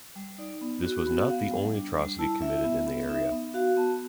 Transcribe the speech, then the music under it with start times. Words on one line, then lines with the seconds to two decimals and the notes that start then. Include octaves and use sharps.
This was not the only atrocity committed in the area.
0.16 G3
0.38 D#4 D5
0.61 B3
0.84 F#4
1.07 B3
1.21 F#5
1.29 B3 F5
1.51 G3
1.74 D4
1.97 G3
2.19 E4 A5
2.42 E4 E5
2.64 B3 E5
2.87 B3 E5
3.09 D#4 E5
3.32 B3
3.54 F#4 F5
3.77 B3 A5